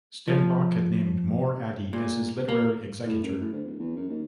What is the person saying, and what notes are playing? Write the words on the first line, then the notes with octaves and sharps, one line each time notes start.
Stenbock had named More Adey as his literary executor.
F3
A#2
A#3
A2
F#2
A2
D2
D1
E2
F#2
D#2